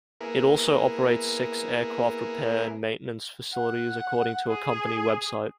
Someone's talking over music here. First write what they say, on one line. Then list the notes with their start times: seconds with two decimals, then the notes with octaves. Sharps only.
It also operates six aircraft repair and maintenance facilities, according to a company website.
0.21 A#3 B3 E4 G#4 A#4
3.53 F#5
4.49 G#4